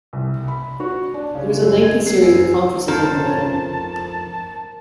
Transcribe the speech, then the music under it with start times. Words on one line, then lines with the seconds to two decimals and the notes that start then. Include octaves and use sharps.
There was a lengthy series of conferences on the matter.
0.13 C2
0.48 B5
0.80 F#4
1.14 D4
1.35 C#3
1.62 F#2
1.82 G#6
2.07 C7
2.22 F#2
2.88 F2 A#4 C5 A5